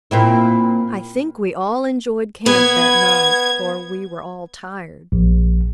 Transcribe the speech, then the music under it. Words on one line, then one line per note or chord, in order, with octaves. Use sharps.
I think we all enjoyed camp that night, for we were all tired.
A#2 C4 E4
B3 G#6
A#1